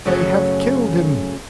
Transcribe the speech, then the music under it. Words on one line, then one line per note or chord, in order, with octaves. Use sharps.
They have killed him!
F#2 C#3 F#3 A3 C#4